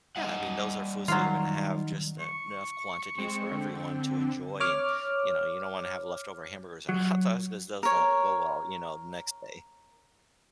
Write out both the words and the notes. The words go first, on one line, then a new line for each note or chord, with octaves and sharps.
yeah, I mean, those are foods that you're gonna have just enough quantity for everyone to enjoy and, you know, you don't wanna have leftover hamburgers and hot dogs because those don't go well, you know, the next day.
G3 D#5 F#5
D#3 F#3 F4
C#6
G#3 C4
D3
C#5 D6 F6
F#3
A#4 C#5